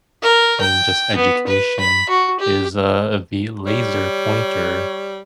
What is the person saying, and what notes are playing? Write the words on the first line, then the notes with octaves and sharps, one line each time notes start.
in just, education is, uh, the laser pointer.
A#4
G5
B3
B4
B5
F#4
G4
G3 C#5